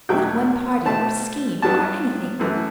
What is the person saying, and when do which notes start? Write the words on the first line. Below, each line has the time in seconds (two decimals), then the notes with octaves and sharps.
Not one party, or scheme, or anything.
0.09 E2 B2 F#3 A3 G5
0.85 B2 A3 C4 A5
1.62 G2 F#3 B3 A5
2.40 F#2 E3 A3